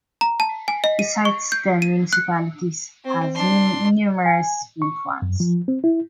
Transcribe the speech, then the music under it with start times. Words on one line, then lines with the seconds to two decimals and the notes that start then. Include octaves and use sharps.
Besides the municipality has numerous wind farms.
0.21 A#5
0.40 A5
0.68 G#5
0.84 D#5
0.99 D#7
1.25 C#6
1.52 G6
1.82 D#7
2.13 F#6
3.04 C4
3.35 D4 C6
4.26 G#5
4.82 C#6
5.22 F#2
5.40 F3
5.68 C4
5.84 E4